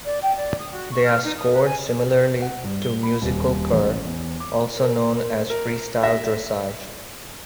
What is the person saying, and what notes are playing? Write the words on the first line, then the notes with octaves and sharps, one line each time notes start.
They are scored similarly to musical kur, also known as freestyle dressage.
D5
G5
D5
D#6
F#4
C#6
F6
D#4
D#6
B4
G#5
F#5
G2
G7
B5
D#1
A1
E2
D6
A#4
A#4
E5 A#6